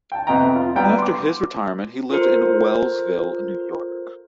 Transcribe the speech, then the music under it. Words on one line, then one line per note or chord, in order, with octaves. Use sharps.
After his retirement he lived in Wellsville, New York.
G5 A5
F2 C3 B3 D#5 G5 A#5
F4
G3 B3 G5 A#5
C6 D6
F4 A4 A#4 C5